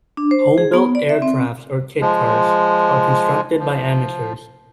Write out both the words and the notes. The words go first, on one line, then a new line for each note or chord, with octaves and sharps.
Homebuilt aircraft or kit cars are constructed by amateurs.
D4
C5
G#4
B3
D5
E5
C4
F3 G#3
F3